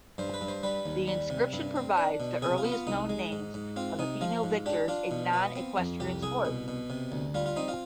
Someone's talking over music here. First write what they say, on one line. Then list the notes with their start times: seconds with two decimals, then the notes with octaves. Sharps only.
The inscription provides the earliest known names of females victors in non equestrian sports.
0.18 G2 C5
0.34 B4
0.41 G2
0.48 C5
0.63 G3 B4
0.86 D#2
1.08 G3
1.30 C3
1.53 G2
1.76 C4
1.97 D4
2.20 B2
2.42 C3 G#4
2.58 F4
2.64 B3
2.72 F4
2.87 C2 D#4
3.09 G#3
3.32 G#2
3.54 G#2
3.76 C4 F4
3.99 C3 D#4
4.21 F3 F4
4.43 G#2
4.66 D4 G4
4.88 D4 F4
5.11 B2
5.33 B3
5.56 C4
5.78 F2
6.00 C2 G4
6.23 C2 G#4
6.45 B2
6.68 B2
6.90 C3
7.12 D2
7.34 G3 F4
7.46 F4
7.56 C4 D#4
7.68 F4